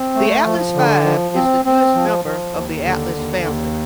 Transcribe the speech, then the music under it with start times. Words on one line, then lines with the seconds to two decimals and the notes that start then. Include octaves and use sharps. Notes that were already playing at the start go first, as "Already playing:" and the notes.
The Atlas Five is the newest member of the Atlas family.
Already playing: C4
0.15 A3
0.46 F3
0.75 D3
1.04 F3
1.35 C4
1.65 C4
1.95 F3
2.25 F3
2.54 D#2
2.85 D3
3.15 D#2
3.44 D#2